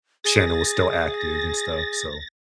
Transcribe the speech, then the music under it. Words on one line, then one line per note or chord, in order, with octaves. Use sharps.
channel was still active and stuff. So,
G#4 A6 A#6